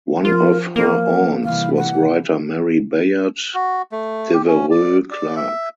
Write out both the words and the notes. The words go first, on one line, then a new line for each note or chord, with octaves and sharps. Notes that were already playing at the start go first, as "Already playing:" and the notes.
One of her aunts was writer Mary Bayard Devereux Clarke.
F3 F4 A#4
A#3 A#4
C3 E3 G3 F5
F#5
F#4
A3
G4
C#4
D5
D5
E5